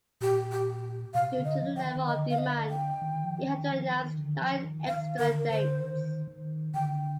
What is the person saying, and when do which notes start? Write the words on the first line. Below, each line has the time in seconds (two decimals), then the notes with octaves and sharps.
Due to the level of demand, he had to announce nine extra dates.
0.21 A#2 G4
0.52 G4
1.14 C3 F5
1.38 D3
1.45 D#5
1.62 F3
1.76 G5
1.84 D#3
2.08 D3 D#5
2.30 F5
2.38 D#5
2.70 G5
3.02 D#3
3.24 F3
3.48 D#3
3.72 F3
3.94 D#3
4.18 D3
4.37 D#3
4.41 F3
4.64 D#3
4.87 D#3 F5
5.19 D3 A#4
5.50 D3 C5
5.80 D#3
6.27 D#3
6.74 D3 G5